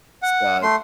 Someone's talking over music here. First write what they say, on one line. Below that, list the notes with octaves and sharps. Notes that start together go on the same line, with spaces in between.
It's, uh,
F#5
A3 C6